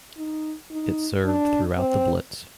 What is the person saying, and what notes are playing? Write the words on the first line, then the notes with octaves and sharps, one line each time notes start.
It served throughout the Blitz.
D#4
D#4
D4
C4